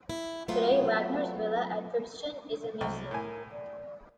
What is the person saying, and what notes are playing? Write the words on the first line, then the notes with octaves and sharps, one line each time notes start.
Today, Wagner's villa at Tribschen is a museum.
E4
F#3 A3 B3 C4 F4
D4
C2 F#3
A2 A#4 G#5
D5